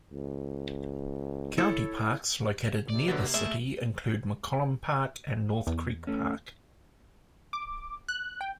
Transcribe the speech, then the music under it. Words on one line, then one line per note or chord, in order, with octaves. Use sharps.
County parks located near the city include McCollum Park and North Creek Park.
C#2
E4 A4 C#5
C3 D5
D3 F#3 A#3 B3
A3 E4 G#4
E2
A3 C#4
D6
F#6
G5